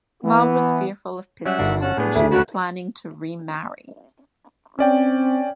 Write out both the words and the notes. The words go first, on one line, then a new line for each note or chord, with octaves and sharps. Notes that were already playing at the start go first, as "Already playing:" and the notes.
Maude was fearful of pistols and she was planning to remarry.
E3 B3
F#3 G3 C#4 E5 F#5
G1 D4 F#4
C#4 F#5 A5
A2 B3 D4 G#4
D2 E5
D#2 C#4 F#4 A#4 A5 B5
C4 C#4 D5 G5